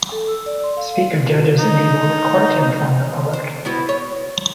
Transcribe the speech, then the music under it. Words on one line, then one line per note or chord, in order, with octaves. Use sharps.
Speaker judges enable the court to inform the public.
A4
E6
D5
C6
F5
D#4
C5
B3 E4 F#4
C#5